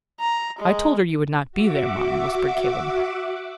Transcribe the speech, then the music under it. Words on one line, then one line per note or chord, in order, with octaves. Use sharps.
"I told her you would not be there, mum," whispered Caleb.
A#5
G#3
F#4 E5 F#5 D6